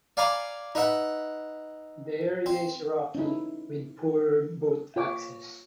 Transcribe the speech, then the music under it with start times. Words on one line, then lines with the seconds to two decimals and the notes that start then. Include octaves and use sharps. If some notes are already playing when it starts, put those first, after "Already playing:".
The area is rocky with poor boat access.
0.17 D5 F5 G#5 A#5 B5 D6
0.75 D#4 B4 E5 F#5 B5
2.46 C4
3.15 C#4 D#4 E4
4.96 F4 C#5 D6